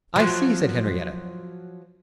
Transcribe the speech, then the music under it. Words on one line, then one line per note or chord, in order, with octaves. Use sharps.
"I see," said Henriette.
F3 F#3